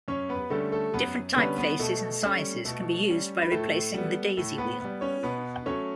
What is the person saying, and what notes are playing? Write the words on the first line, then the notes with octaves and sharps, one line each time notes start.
Different typefaces and sizes can be used by replacing the daisy wheel.
F#2 C#4 C#5
B3 B4
D3 G3 A3 C#4 A4
A3 A4
F#2 B3 B4
D3 G3 B3 C#4 B4
B3 B4
B2 A3 A4
G3 C#4
B2 A3 A4
G3 C#4
B4
A2 A3 A4
G3 B3
A2 A3 A4
B3 B4
G3 B3
C#4 C#5
B2 B3 B4
F#3 A3 C#4 C#5